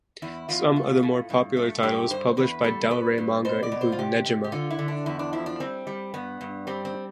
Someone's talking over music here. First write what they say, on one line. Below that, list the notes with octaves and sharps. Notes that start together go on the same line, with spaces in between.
Some of the more popular titles published by Del Rey Manga include Negima!
E2 E4
E2 F4
A3
A2
G2
A3
G2 G4
G2 C5
E2 B4
G3 A4
G2 B4
G2
B2 C5
D5
B2
C5
F4
C3 G4
C3
G4
D3 F4
E4
D3
D4
E2 E4
D4
F3 E4
D4
G3 C4
G3
G2 B3
G2
G3 C4
C4